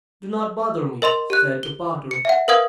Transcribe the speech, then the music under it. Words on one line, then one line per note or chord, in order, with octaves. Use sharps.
"Do not bother me," said the potter.
A#4 D#5 C6 F7
G4 F#6
G7
C#7
E5 F#5
A#4 B4 F5 D#6 G#6 F#7